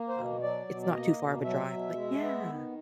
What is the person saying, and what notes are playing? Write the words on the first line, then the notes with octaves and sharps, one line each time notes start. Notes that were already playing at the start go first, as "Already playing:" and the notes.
um, it's not too far of a drive but yeah.
Already playing: A#3
C5
B2
F#3 D5
B2
D5
A#3 D#5
B2
F#3 E5
B2
G#3
B3
D#3